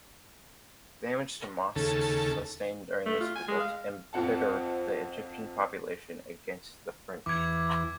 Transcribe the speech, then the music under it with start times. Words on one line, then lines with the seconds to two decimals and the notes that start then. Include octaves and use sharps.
Damage to mosques sustained during this revolt embittered the Egyptian population against the French.
1.76 D#2 C#3 A4
3.06 A3
3.20 F4
3.35 G#5
3.48 G#3
3.60 F5
4.13 F2 F3 C4 F#5 A5
7.26 E2 E3 D6 G#6